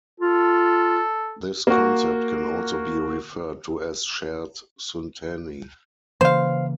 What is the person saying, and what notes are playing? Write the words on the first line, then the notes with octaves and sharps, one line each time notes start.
This concept can also be referred to as shared synteny.
F4 A4
A#3 F#4
C#3 E3 A#3 C5 F5